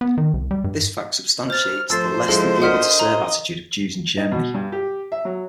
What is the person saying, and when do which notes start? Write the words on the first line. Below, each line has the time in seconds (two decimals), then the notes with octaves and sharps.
This fact substantiates the "less than eager to serve" attitude of Jews in Germany.
0.01 B3
0.18 D#3
0.34 C2
0.51 G3
0.64 G2
1.50 C5 F6 A6
1.90 F3 A3 C5 E6 A6 C7
2.28 F3 G#3 E4 A4 F5
2.62 D4 A#4 D#5 F#5 F6 B6
2.99 A#5
4.17 D#4
4.32 B2
4.54 G2
4.72 G4
5.12 E5
5.25 F#3